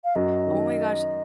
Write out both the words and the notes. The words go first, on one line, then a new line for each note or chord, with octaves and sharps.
Oh, my gosh, uh
F5
F#2 F#3 D#5
D#3